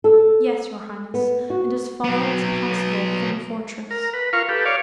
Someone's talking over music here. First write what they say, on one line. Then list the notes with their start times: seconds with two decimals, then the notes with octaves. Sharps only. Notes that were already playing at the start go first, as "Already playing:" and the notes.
"Yes, your highness, and as far as possible from the fortress."
0.04 A4
1.14 B3
1.50 F#4
2.04 F#3 B3
3.91 A#4
4.13 B4
4.33 F4 A#4 F5 C#6
4.49 G4 A4 B4
4.65 C#5 D5 F5